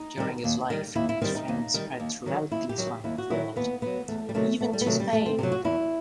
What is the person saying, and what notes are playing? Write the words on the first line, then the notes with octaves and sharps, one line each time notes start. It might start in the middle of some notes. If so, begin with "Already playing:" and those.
During his life his fame spread throughout the Islamic world, even to Spain.
Already playing: D#4
D#3 G3
D#2
D#3 G3
D#2 E4
E4
D#3 G3 C4
D#4
D#2
D#3 G3
D#2
D#3 F#3
D#2 E4
G4
D#3 F#3
G4
D#2 E4
F#4
D#3 F#3 E4
D#2 B3
D#3 F#3 B3
E2 A3
G3
C3 D#3 F#3 A3
E2 A3
G3
B3
C3 D#3 F#3 A3
G3
E2 A3
C4
C3 D#3 F#3 G4
F#4
E2 E4